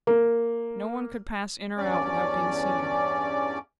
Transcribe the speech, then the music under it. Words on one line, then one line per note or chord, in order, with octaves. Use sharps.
No one could pass in or out without being seen.
A#3
E2 G2 C#4 D5 D6